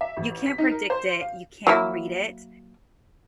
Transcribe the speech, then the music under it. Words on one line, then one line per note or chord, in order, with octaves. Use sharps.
you can't predict it, you can't read it,
E5
A1
B6
D#4
A#4
C5
F5
F#3 A#3 E4